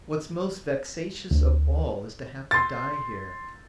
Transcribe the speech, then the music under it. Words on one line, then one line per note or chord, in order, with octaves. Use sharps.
What's most vexatious of all is to have to die here.
D2
C6 A6